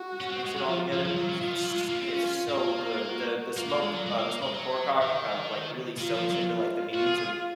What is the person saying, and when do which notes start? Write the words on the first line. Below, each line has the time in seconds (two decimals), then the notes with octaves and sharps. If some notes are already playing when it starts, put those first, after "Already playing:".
You just mix it all together and it's it's so good. The the smoked uh, the smoked pork hock, uh, like, really soaks into, like, the beans, and
Already playing: F#4
0.21 C#4
0.32 C4
0.45 G#3
0.57 G#3
0.68 F3 F4
0.93 F3
1.05 F3
1.16 F#3 F4
1.29 F#3
1.42 D#3
1.53 F3
1.65 F#3
1.77 G#3
1.89 A#3
1.95 C#4
2.01 C4
2.13 C#4 F4
2.26 C#4
2.49 A#3
2.62 F4
3.09 F#4
3.57 A#3 F4
3.70 A#3
3.82 G#3
3.94 F#3
4.06 G#3
4.18 A#3
4.30 A#3
4.42 G#3
4.54 F#3
5.02 D#3
5.99 D#3 F4
6.15 F3
6.31 F#3
6.95 F4 F#4
7.07 G#4
7.18 G#4